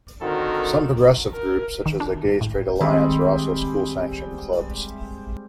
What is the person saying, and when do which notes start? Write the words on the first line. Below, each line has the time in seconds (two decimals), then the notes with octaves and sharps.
Some progressive groups such as the Gay Straight Alliance are also school sanctioned clubs.
0.21 D3 D#3 C4 F#4 A4 A#4
1.31 A#4
1.86 D#3
2.00 D4
2.24 G#1
2.41 A2
2.80 D#3 G3 G#3 C4